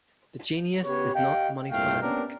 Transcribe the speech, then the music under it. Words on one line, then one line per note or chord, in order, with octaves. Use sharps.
This genus is not monophyletic.
C#3 B3 G4 B4 C#5
G4 D#5 F5 G5
C2 G2 A#2 A3 F5 G5
A#3 B3 C#4 D4 G4 A#4